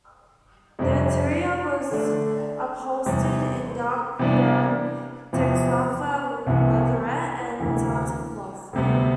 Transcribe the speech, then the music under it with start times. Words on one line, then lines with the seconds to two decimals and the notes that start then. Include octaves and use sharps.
The interior was upholstered in dark brown Texalfa leatherette and tartan cloth.
0.79 F2 C3 G3 D4
1.91 D3 A3 D4
3.06 E2 C3 G3
4.19 C3 E3 G3 B3 D4
5.33 E2 C3 F3 B3
6.46 C2 C3 E3 B3
7.60 D2 C3 E3
8.73 D2 C3 G3 B3